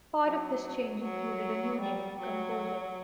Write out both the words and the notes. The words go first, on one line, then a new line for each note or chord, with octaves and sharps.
Part of this change included a new name - "Composer".
F#3
F#3
G3
F#3